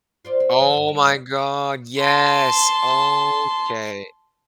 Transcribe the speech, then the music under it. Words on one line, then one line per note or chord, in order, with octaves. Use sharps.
Oh my god, yes! Okay.
F4 C5 D5
C4
E3 G#3
G2
A#4
D#2 G3 B3
A5 C6